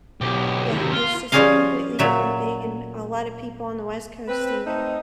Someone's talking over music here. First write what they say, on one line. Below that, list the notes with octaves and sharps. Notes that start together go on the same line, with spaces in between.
yeah, it's just a completely different thing, and a lot of people on the West Coast think
B1 G4
D#2 C3
F4
F3 G3 C#4 G#4 D#5 F5
A#2 F#3 E5
C4 B4
A3 C4 D#4